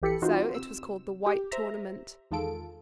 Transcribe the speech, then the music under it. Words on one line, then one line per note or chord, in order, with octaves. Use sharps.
So it was called the White Tournament.
A#1 E3 G4 A4 B5 C#7
E3 C4 D#4 F4 F#4 C5
C3 E6
G4
C5 E5 A#5
E2 D#3 G#3 F4 A4 D7